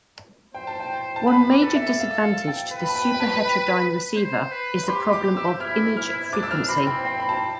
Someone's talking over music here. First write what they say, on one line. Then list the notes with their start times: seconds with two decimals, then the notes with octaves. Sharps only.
One major disadvantage to the superheterodyne receiver is the problem of "image frequency".
0.54 C5 G5
0.67 A5
0.80 G5
1.16 A5
1.27 B4 B5
1.51 D6
1.63 A4
1.75 E5
1.99 F5
2.23 F5
2.47 G5
2.72 B4
2.81 B5
2.88 A5
2.96 G5
3.14 G5
3.20 A5
3.44 B5
4.16 C5
4.52 B4
4.84 B5
4.88 G4 C6
5.13 D6
5.37 E6
5.60 E4 F6
5.97 F6
6.32 D4 D6
6.43 E6
6.51 F6
6.69 C4 B5
6.87 G5
7.05 C4 G5
7.20 B5
7.29 A5